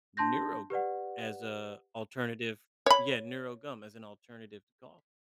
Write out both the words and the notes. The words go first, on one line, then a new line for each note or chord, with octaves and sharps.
NeuroGum as a alternative yeah, "NeuroGum" as an alternative to coffee.
D4 A5 C6 G6 A#6
G4 B4 D5 F#5
C#5 B5